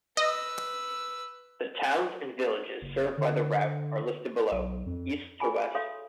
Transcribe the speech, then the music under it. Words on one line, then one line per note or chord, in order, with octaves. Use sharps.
The towns and villages served by the route are listed below, East to West.
B4 D#5 E6
F#1
D3
B1
F2
F#4 G#4 G#5 B5
A4 C#5 E5 F5 C6